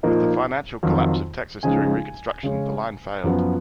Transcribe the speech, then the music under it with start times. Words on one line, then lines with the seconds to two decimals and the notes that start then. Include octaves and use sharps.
With the financial collapse of Texas during Reconstruction, the line failed.
0.03 A#2 F3 A#3 D#4
0.83 F2 D#3 F#3
1.63 C#3 F3 G#3 D#4 G#5
2.43 C#3 G#3 C#4
3.24 F#2 F3 B3